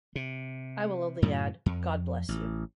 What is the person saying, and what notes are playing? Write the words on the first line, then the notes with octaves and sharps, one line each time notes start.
I will only add, God bless you.
C3
F#2 A2 C#3 F#3
F2
A1